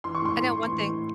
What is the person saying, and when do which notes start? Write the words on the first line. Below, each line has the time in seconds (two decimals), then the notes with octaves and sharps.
I know one thing
0.04 E3 C6
0.15 C#6
0.22 A2 C6
0.38 A2
0.56 E3
0.72 E3
0.90 A2